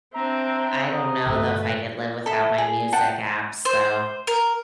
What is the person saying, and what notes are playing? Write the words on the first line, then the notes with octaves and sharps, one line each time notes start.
I don't know, though, if I could live without my music apps, though,
C4 D4 E5 A#5
D#6
G2 B2 D3 A3 B4
A4 E5
G#4
F#5 G5 A5
C5
A#4